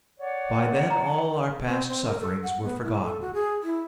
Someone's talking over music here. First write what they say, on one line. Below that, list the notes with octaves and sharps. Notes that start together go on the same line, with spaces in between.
By then all our past sufferings were forgotten.
C#5 D5 F#5
A#5
C4
C4
A#4
A4
F#5
B3
E4
A4
F#4
G#4
E4